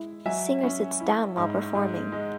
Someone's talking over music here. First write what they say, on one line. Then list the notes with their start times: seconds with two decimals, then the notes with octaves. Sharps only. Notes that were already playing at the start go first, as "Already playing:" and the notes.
Singer sits down while performing.
Already playing: G#3 E4
0.25 F#3 E5 G#5
0.63 C#4
1.00 E4
1.37 G#2
1.75 G#2
2.12 G#3